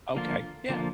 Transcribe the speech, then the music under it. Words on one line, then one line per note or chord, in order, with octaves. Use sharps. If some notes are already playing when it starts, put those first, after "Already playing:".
Okay, yeah.
D3 F3 A#3 F4
D3 F3 A#3 F4